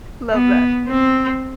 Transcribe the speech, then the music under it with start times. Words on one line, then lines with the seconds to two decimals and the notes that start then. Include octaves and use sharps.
Love that. Mhm.
0.32 B3
0.88 C4